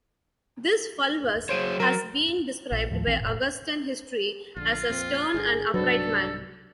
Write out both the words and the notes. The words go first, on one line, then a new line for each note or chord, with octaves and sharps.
This Fulvus has been described by Augustan History as a "stern and upright man".
F#3 G#4 C5 C#5 D7 D#7
F#3 A#4 A6
A#1
D#2 A2 F3
A#1 E3 C4
E1 B1 A2
A#1 D3 F4
F2 A#2 C4
G1 B2 D3 G#4
C2 G#2 F#3 D4 A4 B4